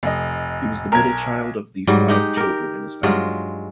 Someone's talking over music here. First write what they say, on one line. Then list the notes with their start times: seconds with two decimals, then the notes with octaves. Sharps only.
He was the middle child of the five children in his family.
0.03 F1 D#5
0.92 B1 A#4 G#6
1.87 G#2 F#3 G3
2.09 G#3 D#4 G4
2.37 G4 A#4
3.03 G2 F#3 G#3 F4